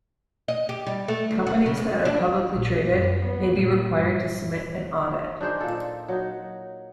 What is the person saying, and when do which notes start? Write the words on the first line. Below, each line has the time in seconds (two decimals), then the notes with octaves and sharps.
Companies that are publicly traded may be required to submit an audit.
0.48 D#5
0.69 G4
0.87 G3
1.08 A3
1.31 D2
1.47 F#4
1.66 C#3
1.77 G#2
2.05 D4
2.53 A#1
2.87 F#2
3.20 B3
3.55 A#2
3.90 G2
5.41 D4 D#4 G#4 C5
5.60 A#2 A4
6.08 F#3 D#4